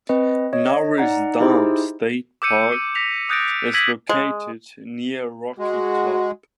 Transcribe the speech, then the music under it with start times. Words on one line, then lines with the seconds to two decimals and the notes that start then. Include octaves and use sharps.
Norris Dam State Park is located near Rocky Top.
0.09 C4 B4 D#5
0.53 C#5 D#5
0.98 D#4 D5 F#5 A#5
1.40 D#4 E4 G4 G#4 C5
2.42 D6 E6 G6 C#7 D#7
2.72 D#7
2.95 G6 A#6 B6 F7
3.29 D#6 F#6 G6 A6 A#6 D7
3.74 E6 G#6 A#6 B6 D#7 F#7
4.09 G#3
5.59 G#3 F#4